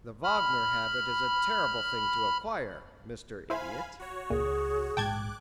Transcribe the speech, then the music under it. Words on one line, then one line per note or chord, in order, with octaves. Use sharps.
"The Wagner habit is a terrible thing to acquire, Mr. Idiot."
B5 F6
E4 C5 F5 G#5 B5
F#4 C#5
C#2 A#2 G#4
A#1 G#2 G#3 G5 A5 D6 F#6 G#6